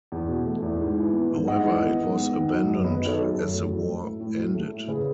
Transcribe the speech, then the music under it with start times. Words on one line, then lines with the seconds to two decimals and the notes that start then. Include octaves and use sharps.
However it was abandoned as the war ended.
0.12 E2
0.28 B2
0.46 A3
0.62 E2
0.80 G#2
0.97 E3
1.13 B3
1.31 G#2
1.47 G#2 D#5 F#5
1.64 E3
1.82 B3
1.99 G#2
2.16 B3
2.33 D#3
2.49 F#3
2.67 F#2
2.84 B3 B4 D#5
3.01 D#3
3.06 A4 C#5
3.18 F#3
3.29 A4
3.36 F#2
3.51 A2
3.69 F#3
3.86 A3
4.03 A2
4.20 A2
4.37 F#3
4.55 A3
4.71 A2
4.88 C#3 G#4 B4